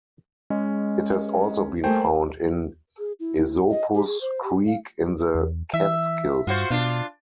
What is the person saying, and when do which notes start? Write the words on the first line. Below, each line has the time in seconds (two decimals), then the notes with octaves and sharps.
It has also been found in Esopus Creek in the Catskills.
0.50 G#3 C#4
1.84 G3 A3 A#3 C5 G5 G#5
2.99 G#4
3.20 E4
3.69 D#5
3.94 G4
4.07 G#4
4.21 C5
4.44 G4
4.66 F5
5.35 E2
5.74 E3 E5
6.47 G2 F4 F#4 C5
6.71 B2 D4 F4